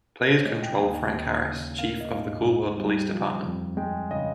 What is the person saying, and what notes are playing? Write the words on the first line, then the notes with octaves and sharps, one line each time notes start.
Players control Frank Harris, chief of the Cool World police department.
A#4
C5
C#5
G#3 D#5
G5
D#2 G#5
G5
D#2
C#3
A#3 F5
D#5
G#2 F5
G#2
G3
F3
F2
G#3 G5
C#3 D#5